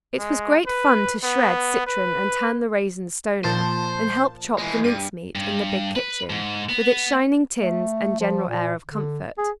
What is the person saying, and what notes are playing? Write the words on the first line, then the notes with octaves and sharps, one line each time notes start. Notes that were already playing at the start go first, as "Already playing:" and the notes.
It was great fun to shred citron and turn the raisin-stoner, and help chop the mince-meat, in the big kitchen, with its shining tins, and general air of comfort.
G#3
B4
B3
B4
A#2 F3 C5 A5
E3 G#3
G2 D#7
G2
B4
G#2
B3
A3
F3
A#2
D3
G#4